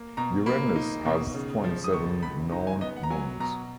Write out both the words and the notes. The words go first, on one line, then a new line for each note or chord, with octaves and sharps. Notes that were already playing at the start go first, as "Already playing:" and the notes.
Uranus has twenty seven known moons.
Already playing: A#3
B2 A#5
A#3 B5
D#4
B2
C#3
F3
D#6
C#2 C#6
C#2 B5
D#4 A#5
G#5
B3 D#5
F#5
A#5
F#3 G#5
B2 A#5